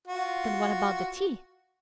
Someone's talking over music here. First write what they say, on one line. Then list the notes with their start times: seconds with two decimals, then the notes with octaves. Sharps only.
"Then what about the tea?"
0.08 F4 F#4